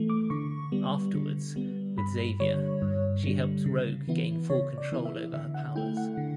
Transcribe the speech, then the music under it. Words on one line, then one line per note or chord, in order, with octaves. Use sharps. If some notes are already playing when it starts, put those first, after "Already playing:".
Afterwards, with Xavier, she helps Rogue gain full control over her powers.
Already playing: E3 A3
D6
D3 C#6
G3 B3
D3
G3 B3
G2 B5
D3 G3 C#5
G2
D3 G3
C#3
E3 B3 E4
C#3 C#5
D5
E3 B3 E4
E5
D3 E5
F#5
A3 E4 G5
F#5
D3